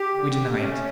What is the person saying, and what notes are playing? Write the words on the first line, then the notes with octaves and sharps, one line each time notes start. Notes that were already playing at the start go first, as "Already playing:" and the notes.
We deny it.
Already playing: G4
D3
A3 C#4